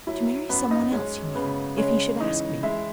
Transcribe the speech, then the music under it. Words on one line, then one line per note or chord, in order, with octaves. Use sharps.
"To marry some one else, you mean--if he should ask me?"
F#3 E4
F#2 B3 B4
D#4 D#5
G#3 C#4 C#5
C#3 B3 B4
G#3 C#4 C#5
E3 D#4 D#5
G#3 E4 E5